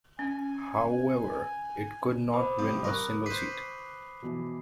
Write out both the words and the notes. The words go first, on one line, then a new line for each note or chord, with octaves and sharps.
However, it could not win a single seat.
C#4 G#5
C5 B5 D6 D#6
C3 F3 G3 D#6
A#4 C#6 F#6
B4 C5 C7
B2 E3